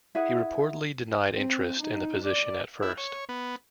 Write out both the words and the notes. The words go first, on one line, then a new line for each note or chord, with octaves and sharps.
He reportedly denied interest in the position at first.
E4 G#4 F#5
C4
D#4
D5
E4
C#5
B3